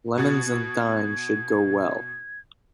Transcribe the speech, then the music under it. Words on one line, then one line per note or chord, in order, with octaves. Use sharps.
Lemons and thyme should go well.
B2 F#4 G#6 A6